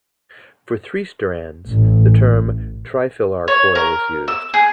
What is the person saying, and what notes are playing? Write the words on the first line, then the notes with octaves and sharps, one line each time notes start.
For three strands, the term trifilar coil is used.
A1
C#5
A#4
E6
G#4